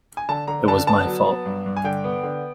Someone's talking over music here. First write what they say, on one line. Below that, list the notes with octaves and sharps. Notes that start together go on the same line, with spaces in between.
It was my fault.
G#5
D3 A5
D3 A#5
D3 A5
B3 A5
F#3
B3
G2
G2
G#5
D3 G5
B3
D3